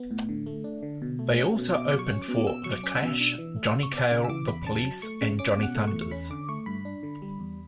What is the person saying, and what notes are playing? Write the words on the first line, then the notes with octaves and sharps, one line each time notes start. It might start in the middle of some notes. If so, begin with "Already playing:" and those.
They also opened for The Clash, John Cale, The Police and Johnny Thunders.
Already playing: B3
A2
D3
A3
D4
D3
B2
A3
C#4
B2
B2 D6
F#3
C#6
C#4
D6
B2
B2 E6
F#3 C#6
D6
C#4
E6
B2
D4
E3
A3
C#3
C#6
B3 D6
C#3 D6
E6
E3 D6
E2 B5
C#3 A5
F#3
A3 C#6
C#3
C#4 D6
B2
F#5
A3
C#6
E2
C#6
C#4 B5
D3 D6
A3 C#6
G2 B5
D4
D3
G3
E2